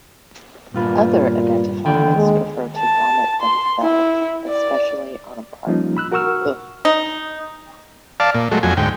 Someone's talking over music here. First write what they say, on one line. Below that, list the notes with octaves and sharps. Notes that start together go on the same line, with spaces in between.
Other emetophiles prefer to vomit themselves, especially on a partner.
G2 A#2 F4 B4
D#2 D3 E3 G5
D#2 G#3
A5
C6
E4
D5
F3 G3 A#3 C#4 D#4 F4
B5 E6 F#6
F#4 A#4 F#5 C#6 E6 F6
D#4
D5 F5 A5
A#2
F#3 G#3 A3
F2 F#3 G#5
D2 G#2 G5